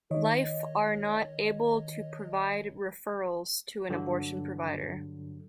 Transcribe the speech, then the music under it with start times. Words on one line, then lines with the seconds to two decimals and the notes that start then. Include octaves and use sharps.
Life are not able to provide referrals to an abortion provider.
0.11 D#3 C#5 D#5
3.89 G2 D3 F#3